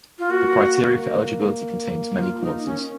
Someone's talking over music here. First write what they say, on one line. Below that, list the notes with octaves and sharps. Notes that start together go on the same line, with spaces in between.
The criteria for eligibility contains many clauses.
F4
A#3 F#4
F4
D#4
C#4